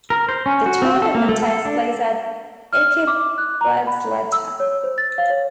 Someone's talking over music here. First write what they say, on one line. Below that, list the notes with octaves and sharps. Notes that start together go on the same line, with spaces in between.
The tournament takes place at Ekebergsletta.
A#4
C5
C#4
F#4
C4
A4
A#3
A3
A4
D4
F6
D6
F#6
A#5
B5
E6
C#5
C5
A6
F5
C#5